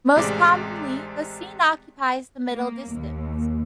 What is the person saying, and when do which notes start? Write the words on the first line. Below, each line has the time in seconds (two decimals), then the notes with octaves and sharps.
Most commonly the scene occupies the middle distance.
0.16 A1 C3 G#3 D5 D6
2.51 A#3
2.94 D#2